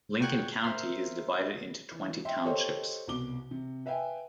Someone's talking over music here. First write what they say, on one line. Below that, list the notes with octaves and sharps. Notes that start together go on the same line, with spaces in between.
Lincoln County is divided into twenty townships.
A#2 F#4 G5 C#6 F#6 G#6
A#4 C5 E5 C6 F6
E3
E5 G5 C6
G4 A4 C5 C#5 D#5
C2 B2 D6 G7
C3
B4 E5 F5 G5 G#5